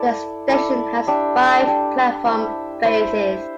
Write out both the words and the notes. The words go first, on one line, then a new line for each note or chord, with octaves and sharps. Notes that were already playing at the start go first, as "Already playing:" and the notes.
The station has five platform faces.
Already playing: E4 A4 D5
E4 A4 D5
D4 G4 E5
D4 G4 E5
E4 C5 E5
E4 C5 E5